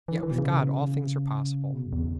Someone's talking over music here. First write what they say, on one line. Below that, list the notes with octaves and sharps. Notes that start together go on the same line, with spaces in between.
Yet with God all things are possible.
E3
E3
B2
C#3
B2
F#2
E2